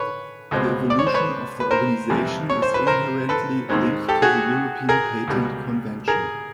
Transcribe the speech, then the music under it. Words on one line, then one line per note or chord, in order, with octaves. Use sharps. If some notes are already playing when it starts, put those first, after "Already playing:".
The evolution of the Organisation is inherently linked to the European Patent Convention.
Already playing: B4 C#5
C#2 B2 G#3 C4
D5
C#5
C5
B4 C#5
B4
A#4 C5
F2 C3 E3 G3
C#5
C5
B4
A#4 C5
A4 B4
D#2 D#3 G#3 C4
G4 A4
F#4 G#4
G#4 A#4
C#2 B2 G3
G#4 A#4